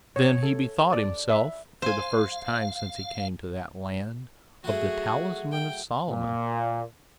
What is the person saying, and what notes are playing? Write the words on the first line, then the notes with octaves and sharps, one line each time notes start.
Then he bethought himself, for the first time since he came to that land, of the Talisman of Solomon.
C#5
A4
D5
E5
C5 F5 G#5
F#3 A3 F#4 G#4
G5
A#2